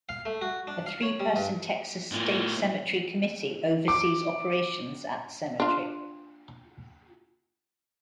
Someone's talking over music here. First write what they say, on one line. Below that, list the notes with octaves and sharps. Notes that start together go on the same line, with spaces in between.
A three-person Texas State Cemetery committee oversees operations at the cemetery.
F5
A3
F#4
D4
F5
C#5
G3
G2
A2 F4
D6
D4 F4